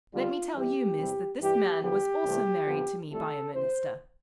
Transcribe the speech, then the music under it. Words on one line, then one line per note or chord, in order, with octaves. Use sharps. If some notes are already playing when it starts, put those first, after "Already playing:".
Let me tell you, miss, that this man was also married to me by a minister.
F2 D3 G3 F4
F2 E3 G3 G4
E2 C3 G3 C4
G2 E3 G3 G4
E2 D3 F3 B3 G4
C2 C3 E3 A3
F2 D3 F3 B3
C2 C3 F3 A3 A4
D2 C3 E3 C5